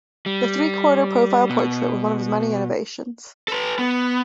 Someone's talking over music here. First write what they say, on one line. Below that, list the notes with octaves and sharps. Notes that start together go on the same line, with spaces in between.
The three-quarter profile portrait was one of his many innovations.
G3
B2
A4 B4
B3